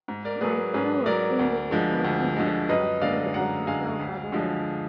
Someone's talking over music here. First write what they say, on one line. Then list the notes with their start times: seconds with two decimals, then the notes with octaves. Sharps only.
My father was angry because he had to attend the official gatherings.
0.08 G#2
0.25 A#4 D5
0.41 F#3 G#4 B4
0.74 G#2 G#4 B4
1.06 F#3 A#4 D5
1.39 D2
1.71 D3 F3 G#3
2.04 D2
2.36 D3 F3 G#3
2.69 F#2 B4 D#5
3.01 D3 G#3 D5 F5
3.34 F#2 F#5 A#5
3.67 D3 G#3 F5 G#5
3.99 D2
4.32 D3 F3 G#3